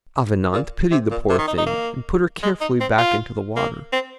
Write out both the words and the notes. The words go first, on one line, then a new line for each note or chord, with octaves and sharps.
Avenant pitied the poor thing, and put her carefully back into the water.
A#2
C3
A#2
C3
D#3
D#4
D#4
A#3
G#3
D#4
C4
F4
A#3
C4